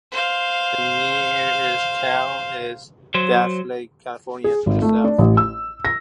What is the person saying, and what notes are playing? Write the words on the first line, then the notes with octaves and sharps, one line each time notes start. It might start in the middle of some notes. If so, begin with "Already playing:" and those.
The nearest town is Bass Lake, California, to the south.
C5 F5
F#3 C5
G#4
G#1
A3
D4
A1
E6
A#6